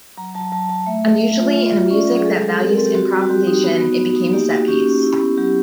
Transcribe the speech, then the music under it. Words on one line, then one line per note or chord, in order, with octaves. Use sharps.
Unusually in a music that values improvisation, it became a set piece.
F#3 A#5
F#3 A5
F#3 A5
F#3 A5
A3 E5
A3
A3
F4
F4
F4
C#4 D5
F#3
G#4
G#3 A4
G#3
C4 A4
A#4
C4 A4
G4
C4 F#4
G3
F#4
C4 G4
D#4
B3 F#4
B3
B3
D#4
A#3 G4
F#4
C#4 G4
C#4
E4
B3
F#3 G4